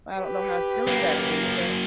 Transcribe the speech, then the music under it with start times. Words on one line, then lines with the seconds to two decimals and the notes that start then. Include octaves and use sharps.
I don't know how soon that'll be, but
0.18 G4 B4
0.87 F#2 A#3